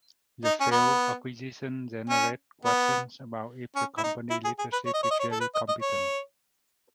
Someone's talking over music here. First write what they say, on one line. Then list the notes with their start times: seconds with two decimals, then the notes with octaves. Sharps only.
The failed acquisition generate questions about if the company leadership is really competent.
0.44 D#4
0.60 C#4
0.72 B3
2.10 C#4
2.65 B3
3.76 C#4
3.98 E4
4.03 D#4
4.30 E4
4.44 G#4
4.59 G#4
4.72 B4
4.86 C#5
4.94 D#5
5.03 C#5
5.11 D#5
5.19 C#5
5.32 A4
5.41 B4
5.55 D#5
5.68 D#5
5.82 C#5